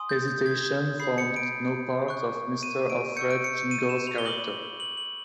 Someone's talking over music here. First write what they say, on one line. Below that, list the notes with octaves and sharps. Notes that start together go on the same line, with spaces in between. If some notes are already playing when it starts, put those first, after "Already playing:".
Hesitation formed no part of Mr. Alfred Jingle’s character.
Already playing: G#5 C6 D#6
G6
G6
G#6
B5 D#6 G6 C7
C#7
D7
C#6 F#6
D#7
D7
C#6 E6 G6 C#7
D7
C#7
C#7
D#7
E7
F7
G7
B5 D6 F#6 F#7
F#7
F#7